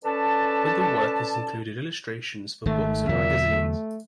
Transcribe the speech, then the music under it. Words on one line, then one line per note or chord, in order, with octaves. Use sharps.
Other work has included illustrations for books and magazines.
C#4 A4 B4 D5 A5
G#1 D#3 A3
E2 A#2 D3 F#3 E5
A3